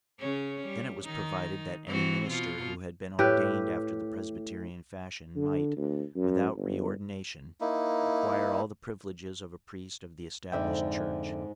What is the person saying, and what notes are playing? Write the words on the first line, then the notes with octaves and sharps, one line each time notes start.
Then it was provided that any minister who had been ordained after the Presbyterian fashion might, without reordination, acquire all the privileges of a priest of the Established Church.
C#3 C#4
G3
D#3 D#4
E3 C4 F#4
B2 F4
A2 G4 B4
D3
D2
F#2
G1
A#3 D#4 E4
F2 G#2 D3 D5 E5 G5